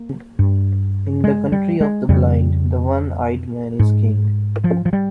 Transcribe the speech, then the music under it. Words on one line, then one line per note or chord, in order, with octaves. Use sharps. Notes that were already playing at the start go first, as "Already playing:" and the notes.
In the country of the blind, the one-eyed man is king.
Already playing: A#3
G2
G#3
G3
G#3
F2 C#3 G3
G#2
F3
F3
G3